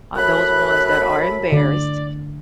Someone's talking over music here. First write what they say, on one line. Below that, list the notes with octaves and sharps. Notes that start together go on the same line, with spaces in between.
uh, those ones that are embarrassed,
F#2 A2 B5 F#6
D3 D5